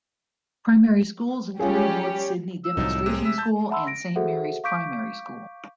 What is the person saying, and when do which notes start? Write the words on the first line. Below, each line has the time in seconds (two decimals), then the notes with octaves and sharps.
Primary schools include North Sydney Demonstration School and Saint Marys Primary School.
1.59 G3 C#4 F4 G4 G#4
2.64 E6
2.77 C2 A2 F3 F#3 D#4
3.06 C3 G#3
3.25 E5
3.38 A5 G6
3.70 E5 F#5 A5 B5 C6 E6
3.87 A#6 D7
4.16 F#4 G#4 A4 C5 E5 F#5
4.64 F5 C#6 D6 G6 B6 D7